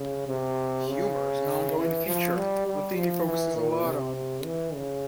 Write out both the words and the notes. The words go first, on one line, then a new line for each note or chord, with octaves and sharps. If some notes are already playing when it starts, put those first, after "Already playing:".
Humor is an on-going feature, a thing he focuses a lot on.
Already playing: C#3
C3
C#3
E3
F3
G3
G3
F3
E3
A#2
C3
E3
C#3